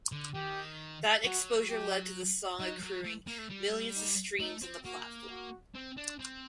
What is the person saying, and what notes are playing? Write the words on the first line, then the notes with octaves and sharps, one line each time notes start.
That exposure led to the song accruing millions of streams on the platform.
D3
D#3 G4
F#3 F#4
G4
F#3 D#4
F#3
A3
A#3
A3
G3
D#4
A3 D#4
C4
A#3 F#4
F#4
C4
D4
C4